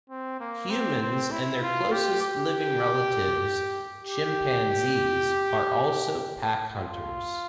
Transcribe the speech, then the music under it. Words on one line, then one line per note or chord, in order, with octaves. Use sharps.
Humans and their closest-living relatives chimpanzees are also pack hunters.
C4
A#3
C4
C4
E4
F4
G4
G4
G4
F4